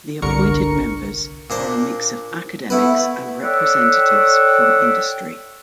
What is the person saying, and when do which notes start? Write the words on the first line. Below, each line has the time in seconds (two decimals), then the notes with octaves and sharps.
The appointed members are a mix of academics and representatives from industry.
0.22 G1 C2 D3 A#4 C#6 C#7
1.50 A#2 D4 C5
2.70 A3 B3 E4 B4
3.42 A4 C#5 D5 E5 F#5 G5